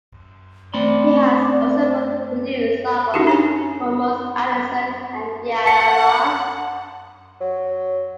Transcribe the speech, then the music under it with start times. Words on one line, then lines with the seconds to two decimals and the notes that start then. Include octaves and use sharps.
He has also produced albums for Mose Allison and Diana Ross.
0.74 A3 C4 D5 B5 C6
3.14 C#4 D#4 E4 F#4 G4
3.27 D4 C#5 G#5
5.66 F#5 A5 C#7
7.41 F#3